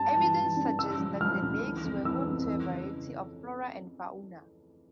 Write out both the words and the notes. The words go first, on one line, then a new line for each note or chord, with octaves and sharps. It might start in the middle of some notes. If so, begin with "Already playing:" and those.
Evidence suggests that the lakes were home to a variety of flora and fauna.
Already playing: G2 A5
E3
E3
G2
C#3 E6
F3
F3 F6
D2
E3
F2
E3 E6
F2
E3
C#3